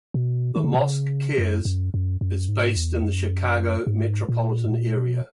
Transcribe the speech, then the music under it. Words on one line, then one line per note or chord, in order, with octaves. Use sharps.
The Mosque Cares is based in the Chicago metropolitan area.
B2
D#3
C#3
B2
C#3
F#2
F#2
F#2
F#2
G#2
E2
F#2
G#2
A#2
G#2
A#2
B2